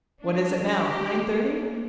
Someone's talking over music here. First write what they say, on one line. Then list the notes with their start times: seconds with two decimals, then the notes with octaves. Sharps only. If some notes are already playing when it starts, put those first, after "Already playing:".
What is it now--nine thirty?
0.21 D4
0.77 G4
1.30 A#3